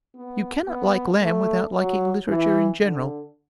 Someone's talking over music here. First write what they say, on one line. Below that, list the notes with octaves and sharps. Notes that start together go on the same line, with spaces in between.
You cannot like Lamb without liking literature in general.
B3
B3
A3
F#3
E3
D3